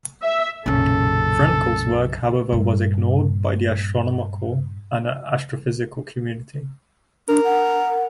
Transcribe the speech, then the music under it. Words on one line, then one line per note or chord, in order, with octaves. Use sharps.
Frenkel's work, however, was ignored by the astronomical and astrophysical community.
E5
B1 F#2 A#2 C#3 C#4 A4
G2 A#2
D4 A#4
F#5